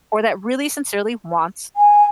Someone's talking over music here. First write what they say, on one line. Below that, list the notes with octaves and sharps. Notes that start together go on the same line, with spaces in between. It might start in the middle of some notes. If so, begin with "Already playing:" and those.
or that really sincerely wants
G#5